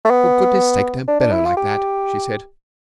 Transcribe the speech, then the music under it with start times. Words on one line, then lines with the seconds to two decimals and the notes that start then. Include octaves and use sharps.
'For goodness' sake don't bellow like that!' she said.
0.05 A3
0.10 B3
1.08 D4
1.20 D4
1.32 E4
1.45 F4
1.57 G4